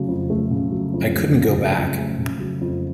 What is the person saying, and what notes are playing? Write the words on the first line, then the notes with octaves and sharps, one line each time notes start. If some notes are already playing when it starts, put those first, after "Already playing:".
I couldn't go back.
Already playing: C#3 F#3 A3
F2
A3
C#3
F#3
F2
A3
C#3
F#3
F2
A3
C#3
F#3
F2